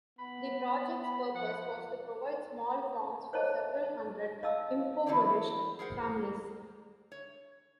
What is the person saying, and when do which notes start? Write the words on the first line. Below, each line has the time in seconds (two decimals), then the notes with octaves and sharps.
The project's purpose was to provide small farms for several hundred impoverished families.
0.19 B3 B5
1.03 B5
1.35 F3 F#5
3.33 C5 C#5 D#5 A5
4.43 D#5 F5 A5 E6
5.06 E3 F#3 E4 B4 C5 D5
5.79 G#4 A#4 C5 F#5
7.12 C#5